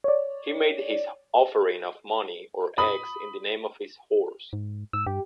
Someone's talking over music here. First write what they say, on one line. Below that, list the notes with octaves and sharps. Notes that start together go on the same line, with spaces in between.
He made his offering of money or eggs in the name of his horse.
C#5 D5
B5 D#6
G#2
G#2 E6
G2 G4